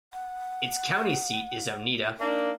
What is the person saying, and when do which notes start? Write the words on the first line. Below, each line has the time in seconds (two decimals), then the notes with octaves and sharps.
Its county seat is Onida.
0.13 F#5
2.20 A#3 D4 D#4